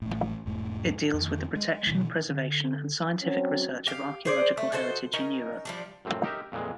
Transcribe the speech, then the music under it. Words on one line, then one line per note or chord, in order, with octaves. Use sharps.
It deals with the protection, preservation and scientific research of archaeological heritage in Europe.
A1 A2
E1 G#2 A3
F2 D#3
G#3
B2 D#3 E3
D3
F#3 C4 C#4
G4 F5
G#4 C5 D5
A3
F#4 A4 C5 D#5
C#4 D#4 A#4
F3 G3 D4
F#2 A2 C4
D#4 G4 A#4 E5
F2 A#2 E3 G#3